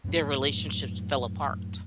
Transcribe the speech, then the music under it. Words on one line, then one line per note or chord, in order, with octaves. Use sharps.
their relationships fell apart
F#2 A2 F#3 C#4